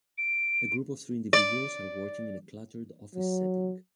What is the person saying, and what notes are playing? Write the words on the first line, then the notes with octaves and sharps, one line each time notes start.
A group of three individuals are working in a cluttered office setting.
D7
D5
F#3